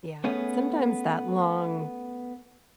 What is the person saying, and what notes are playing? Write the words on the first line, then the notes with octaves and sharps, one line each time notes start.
Yeah. Sometimes that long
A3 B3 C#4 G#4